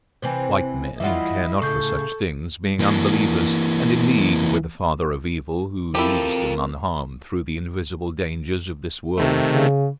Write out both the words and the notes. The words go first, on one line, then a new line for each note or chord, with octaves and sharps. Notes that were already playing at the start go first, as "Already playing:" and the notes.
White men care not for such things, being unbelievers and in league with the Father of Evil, who leads them unharmed through the invisible dangers of this world.
C3 E3 C4 C5 G#5
E3 G3 E4 F4 D#5 E5 F#5
A2 C#3 A4 C#6 G6
E3 A#3
C4 E4 F4 G4 A4 A#4
C3 D#3 A3
C#3